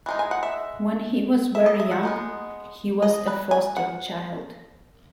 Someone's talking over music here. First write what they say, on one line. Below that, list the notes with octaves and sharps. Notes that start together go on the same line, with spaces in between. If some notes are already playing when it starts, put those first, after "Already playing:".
When he was very young, he was a foster child.
E3 G#3 D#4
G#5
F#5
E5
E5
D#5
E5
F#5
G#3 B3 D#4
D#5
B4
G#5
F#5